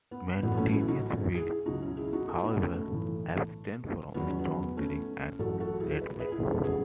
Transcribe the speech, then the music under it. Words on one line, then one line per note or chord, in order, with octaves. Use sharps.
Mandaeans will, however, abstain from strong drink and red meat.
B3
A1 A2 F#3 B3
B3
A3 C#4
C#4 E4
D#4 F#4
E4 G#4
C#2 B2 F#3 D#4 F#4
C#4 E4
E4 G#4
D#4 F#4
F#4 A4
B3 D#4
A3 C#4
A3
B1 A2 E3
E2 D#3 F#3 B3
C#4
B3
A3 C#4
A1 A2 F#3 F#4 A4
F#4 A4
E4 G#4
B4
G#4 B4
E4 G#4
A4
C#3 F#3 G#4 B4